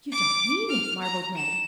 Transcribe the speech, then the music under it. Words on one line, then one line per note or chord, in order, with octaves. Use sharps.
"You don't mean it?" marveled Ned.
D6
F6
A#5
E7